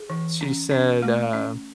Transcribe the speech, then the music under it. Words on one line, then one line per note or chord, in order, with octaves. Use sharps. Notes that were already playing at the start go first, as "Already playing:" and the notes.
she said, uh,
Already playing: G#4
E3
C#4
C#4
A3
C#4